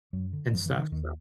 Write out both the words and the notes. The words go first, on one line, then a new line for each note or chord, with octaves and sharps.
and stuff, so
F#2 F#3
D3
F#2 F3
E3
D3
D#3
D#2 D#3